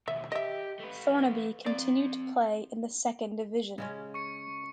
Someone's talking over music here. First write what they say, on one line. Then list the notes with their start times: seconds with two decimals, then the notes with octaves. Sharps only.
Thornaby continue to play in the second division.
0.08 D#2 B2 E5
0.32 G4 D#5 E5
0.80 A3 B4
1.66 C4 D5 F5
3.78 C#3 G#3 C#4
4.14 C#6 C#7